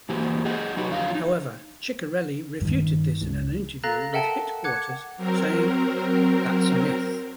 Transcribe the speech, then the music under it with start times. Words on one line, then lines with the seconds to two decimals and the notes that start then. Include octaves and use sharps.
However, Chiccarelli refuted this in an interview with HitQuarters saying, That's a myth.
0.09 E2 E3 A#3 F#4 G4 C5
0.45 G4 G#4 D#5 F#5
0.76 F#3 D#4 F#4 B4
0.89 F2 D3 F#3 D4 F5
1.11 D#4 F4
2.61 G2 D#3
3.21 C#2
3.83 A4 F5 A#5 F#6 A6 A#6
4.13 A4 A#4 E5 F#5 G5 A5
4.64 F#5 D6 F#6 G#6 C#7
5.17 F#3 C4 A#4